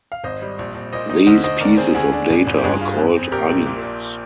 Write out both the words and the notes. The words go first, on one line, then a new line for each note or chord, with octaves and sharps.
These pieces of data are called arguments.
F5
G#1 C5 D#5
G3
A#1
A#1
A#2 C5 D#5
D#4 C5 D#5
D2 C5 D#5
D2 C5 D#5
D#2 A#4 D5
C4 G#4 C5
D2 G#4
D4
G#1
G#1
G4
G2 G#4
F4
F2
C4
A#1 G4 A#4
A#1
A#2
A#2